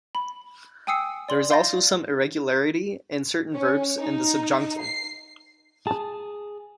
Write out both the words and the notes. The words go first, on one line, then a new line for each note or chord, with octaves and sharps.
There is also some irregularity in certain verbs in the subjunctive.
B5
G5 G#5 D#6 E6 C7 C#7
D5 C6 F#7
F5 C6 G6 A6 A#6
C#4
D#4
C7
G#4 A5